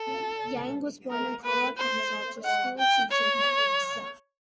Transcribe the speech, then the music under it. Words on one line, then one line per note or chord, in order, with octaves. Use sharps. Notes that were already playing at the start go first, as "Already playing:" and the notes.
Yang was born in Kuala Kangsar to schoolteacher parents.
Already playing: A4
A#4
B4
C5
F#5
G5
C#5